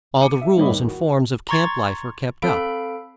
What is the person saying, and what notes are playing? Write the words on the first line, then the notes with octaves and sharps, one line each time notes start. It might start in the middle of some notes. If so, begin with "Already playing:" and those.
All the rules and forms of camp-life were kept up.
D6 C#7 D#7
E5
G#2 G3 B3 C#5 D#5 B5
D#2
F#4
A#5 C6 C#6 G#6 A6
C4 A4 F5 B5 D7